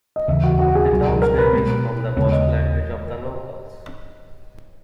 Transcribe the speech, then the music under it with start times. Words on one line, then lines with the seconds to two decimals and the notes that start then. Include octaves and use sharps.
The town's name is from the Basque language of the locals.
0.16 D#5
0.28 D#2 C#3 E3 E5
0.44 F#4
0.59 F#4
0.75 G#4
0.91 C#2 B2 F#3
1.22 A#4
1.38 B4
1.53 B2 G#3 B3
2.16 D#2 C#3 G#3 B3 C#5
2.32 D#5